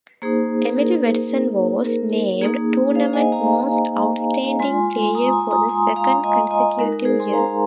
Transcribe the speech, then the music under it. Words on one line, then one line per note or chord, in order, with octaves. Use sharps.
Emily Watson was named Tournament Most Outstanding Player for the second consecutive year.
A#3 D#4 G#4 C5
A#4
A#4
A#3 D#4 G#4
C5 F5
D#5 G#5
F5 A#5
G#3 F4 G#5 C6
A#5 D#6
G#5 C6
A#5 D#6
G#5 C6
F5 A#5
D#5 G#5
D#5 G#5
G#3 D#4 A#4
A#4
G#4 C5
G#5 C6
F5 A#5